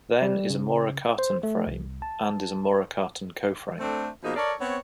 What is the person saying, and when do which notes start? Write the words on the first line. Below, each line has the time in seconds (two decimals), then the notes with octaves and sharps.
Then is a Maurer-Cartan frame, and is a Maurer-Cartan coframe.
0.22 G3
0.50 C#3
1.19 C5
1.43 A3
1.67 C2
2.02 A5
3.79 A3 C4 D4 A4 C5
4.24 B2 F3 A#3 D#4 G#4
4.37 A4 A#4 C#5 D5
4.61 B3 C4 C#5